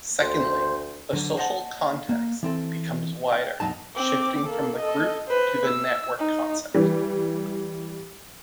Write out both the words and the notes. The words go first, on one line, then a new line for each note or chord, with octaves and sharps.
Secondly, the social context becomes wider, shifting from the group to the network concept.
D2 C5
D3 F#3
C5 D#5 F#5 A5
A#3
E3 C4 A4
G5
B1 G2 C3 F#3 D#4 A5
C4 D6
A#3 A4
A4 D#5
B4 C5
E6
D#4
E3 G3